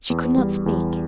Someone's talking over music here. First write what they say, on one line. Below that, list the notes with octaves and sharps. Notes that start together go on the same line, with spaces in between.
She could not speak.
E2
G3
E2